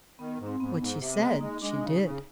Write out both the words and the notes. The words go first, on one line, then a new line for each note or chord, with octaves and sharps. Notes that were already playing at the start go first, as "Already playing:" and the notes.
What she said, she did.
D#3 B3
G#2
C4
G#2 B3
G#2
C3
B3
G#3
A#3
G#3 D#4
G#3 D4
C#3 D#4
C#3